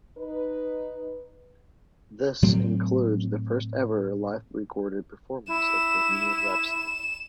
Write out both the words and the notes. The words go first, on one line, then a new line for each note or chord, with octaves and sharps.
This includes the first ever live recorded performance of "Bohemian Rhapsody".
D#4 B4
A2 F#3 A3 C4
E4 E7